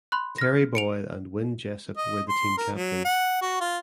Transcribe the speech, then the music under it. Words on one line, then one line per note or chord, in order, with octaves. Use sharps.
Terry Boyle and Wynn Jessup were the team captains.
B5 C6 F#6
F6 A#6
C#7 D7 F7
D#5
C6
A#4
F#3
F#5
F#4
F4